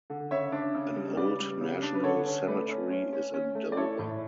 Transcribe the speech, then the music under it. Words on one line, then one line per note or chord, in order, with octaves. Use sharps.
An old national cemetery is in Dover.
D3
C#3 C#5 E5
D4
C#3
G3
C#3 B4 D5
G3
C#3
D4
B4
D3 A4 C#5
C#4
A3 B4 D5
C#4
C#4
C#4
C#4
A3
D5
E4 A4 C#5
A2